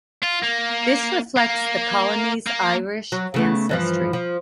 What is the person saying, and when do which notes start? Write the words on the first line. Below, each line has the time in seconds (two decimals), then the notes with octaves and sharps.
This reflects the colony's Irish ancestry.
0.23 F4
0.44 A#3
1.36 A#3
2.47 A#3
3.12 F#3
3.34 C#3 A3 B3
3.69 G2 E3 F3
4.13 F3